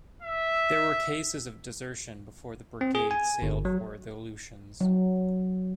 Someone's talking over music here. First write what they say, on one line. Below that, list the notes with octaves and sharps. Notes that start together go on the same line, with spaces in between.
There were cases of desertion before the brigade sailed for the Aleutians.
E5
C4
G#4
G#5
G1
F#3
F#3